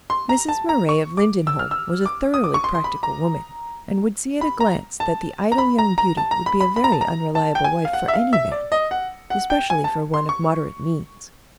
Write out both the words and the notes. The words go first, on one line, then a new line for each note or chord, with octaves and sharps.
Mrs. Moray of Lindenholm was a thoroughly practical woman, and would see at a glance that the idle young beauty would be a very unreliable wife for any man, especially for one of moderate means.
C6
A#5
A5
A#5
C#6
D6
E6
F6
E6
D6
D#6
D6
C#6
C6
C6
B5
A#5
B5
A#5
A5
A#5
B5
A#5
A#5
A5
A#5
B5
B5
B5
A#5
A5
A#5
A5
G5
G#5
F5
F#5
E5
F5
E5
D5
D#5
F#5
F#5
G5
G#5
A5
C6
C#6